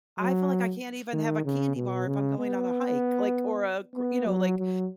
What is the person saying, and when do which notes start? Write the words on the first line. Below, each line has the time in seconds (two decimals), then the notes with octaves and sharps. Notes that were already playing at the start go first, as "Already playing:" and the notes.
I feel like I can't even have a candy bar if I'm going on a hike, like, or a gr you know, like,
0.19 F#3
1.13 D#3
1.45 C#3
1.76 B2
2.07 C#3
2.38 B3
3.95 B3
4.26 F#3
4.58 F#3